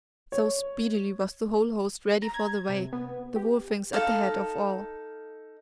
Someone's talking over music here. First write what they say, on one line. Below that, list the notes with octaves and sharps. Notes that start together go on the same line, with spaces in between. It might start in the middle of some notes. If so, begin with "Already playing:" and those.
So speedily was the whole host ready for the way, the Wolfings at the head of all.
C#5
A#5
G#6
C3
B3
G4
D#4 A4 F5